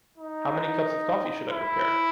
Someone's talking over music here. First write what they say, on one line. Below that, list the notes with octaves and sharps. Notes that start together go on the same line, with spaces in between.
How many cups of coffee should I prepare?
D#4
E4